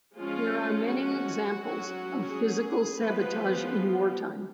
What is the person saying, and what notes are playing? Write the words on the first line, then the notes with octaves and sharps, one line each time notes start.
There are many examples of physical sabotage in wartime.
F3 G#3 C#4 F4
F#4
F#3 C#4
G#4
F3 G#3 B3 B4